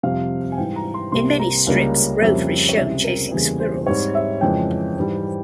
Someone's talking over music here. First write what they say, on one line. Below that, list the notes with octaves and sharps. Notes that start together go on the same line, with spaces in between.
In many strips Rover is shown chasing squirrels.
F2 C3 G3 F5
G#5
G#2 E3 G3 G5
A#5
C6
C2 C3 G3 A#3 C6
A#5
C#2 C#3 G3 A#3
F2 C#3 G3 A#3 E5
C#5
C#2 C3 G3 E5
A#4
E2 C#3 G3 A#3 G#4
C5
G#2 G3 C4 C#5
E5
F2 C#3 E3 G#3 G5
G#2 E3 G3